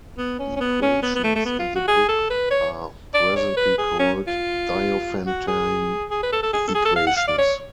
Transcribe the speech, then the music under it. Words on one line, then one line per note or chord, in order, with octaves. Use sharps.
Equations in the book are presently called Diophantine equations.
B3
C#4
C#4
B3
C#4
B3
B3
A3
A3
B3
F4
F#4
G#4
A4
B4
C#5
D5
C#5
B4
G#4
C#4
F4
F#4
G#4
G#4
B4
A4
A4
G#4
A4
G#4
A4
F5
F#5
F5
D5
C#5